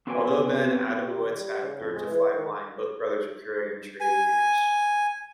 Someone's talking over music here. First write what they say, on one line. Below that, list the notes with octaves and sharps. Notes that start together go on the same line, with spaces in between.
Although Ben Adamowicz had learned to fly blind, both brothers were purely amateur aviators.
B3 C4 F#4 G4 B4 G#5
G4
D#3
G3
C#3
F2
G#3
E3
D#3
G#5